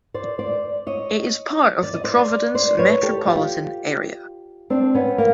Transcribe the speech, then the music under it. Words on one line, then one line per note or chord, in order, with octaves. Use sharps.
It is part of the Providence metropolitan area.
C5 D5
C5 D5
C#5 D#5
D5
D#5
C5 D5
C5 D5
B4 C#5
G4 A4
F4 G4
C4 D4
B3 C#4
A#3